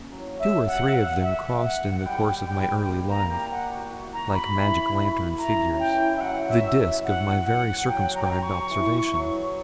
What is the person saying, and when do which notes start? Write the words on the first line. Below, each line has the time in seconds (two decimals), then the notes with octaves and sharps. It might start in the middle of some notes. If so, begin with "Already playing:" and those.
Two or three of them crossed in the course of my early life, like magic-lantern figures, the disk of my very circumscribed observation.
Already playing: A#3 C#4
0.12 F#3
0.40 E5
0.67 F#5
0.89 E5
0.94 F#5
1.22 E5
1.64 F#5
1.95 F#5
2.05 G3 G5
2.47 G3 G5
2.89 A#3
3.10 A#5
3.30 G4 A#5
3.51 F#5
3.71 F#4
4.00 F#4
4.13 A#5
4.27 F#4
4.33 B5
4.55 E4
5.38 E4 A#5
5.66 C#4
5.79 G5
5.93 E3
6.16 E5
6.21 F#3 F#5
6.48 E5
6.76 E5
7.04 F#5
7.46 F#5
7.87 F#3 G5
8.15 A#5
8.23 G5
8.31 A#5
8.42 C#6
8.70 E3
9.12 F#3